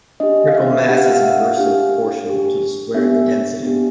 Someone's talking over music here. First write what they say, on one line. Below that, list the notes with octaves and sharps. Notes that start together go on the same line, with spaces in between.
The critical mass is inversely proportional to the square of the density.
D4 G4 D#5
F5
E5
D4 G4 F#5
F5
E5
F5
F#5
D4 G4 F5
D4 G4
B3 D4 G4 E5
B3 D4 G4